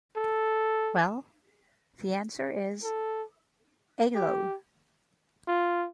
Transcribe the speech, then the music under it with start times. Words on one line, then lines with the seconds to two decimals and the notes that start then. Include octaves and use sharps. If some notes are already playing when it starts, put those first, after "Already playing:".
Well, the answers is... A lo.
0.17 A4
2.83 A4
4.15 G4
5.48 F4